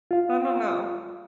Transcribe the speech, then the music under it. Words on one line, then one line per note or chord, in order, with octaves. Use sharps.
I don't know.
F4 F5